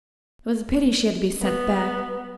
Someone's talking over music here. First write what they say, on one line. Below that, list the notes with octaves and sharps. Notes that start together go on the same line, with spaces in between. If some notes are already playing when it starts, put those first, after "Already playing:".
It was a pity she had to be sent back.
B3